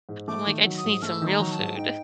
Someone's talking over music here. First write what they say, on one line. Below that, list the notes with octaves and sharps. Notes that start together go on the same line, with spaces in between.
I'm like, "I just need some real food."
G#2
A3 D6
D#3
F#3
D#6
G#2
A3 E6 F6
D#3
A#5
F#3
A5
G#2
D#4 G5